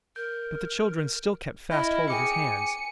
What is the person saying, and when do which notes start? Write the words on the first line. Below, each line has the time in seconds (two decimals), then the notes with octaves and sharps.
But the children still kept fast hold of his hands.
0.16 A#4 G6
1.71 E4 D#5 B5 F6 A#6
2.10 G#4 G5 G#5 D6 C#7